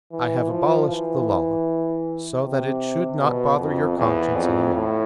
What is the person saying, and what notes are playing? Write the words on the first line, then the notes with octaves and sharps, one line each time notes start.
I have abolished the Law, so that it should not bother your conscience any more.
E3
F3
E3
C3
B2
F2
E2
F2
A2